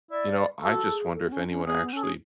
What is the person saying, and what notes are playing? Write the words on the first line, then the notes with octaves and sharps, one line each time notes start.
You know, I just wonder if anyone actually
E4 D5
F#4 A4
G#4
A4
B3
C#4
C#4
B3 G#4
B3
C#4 A4
G#4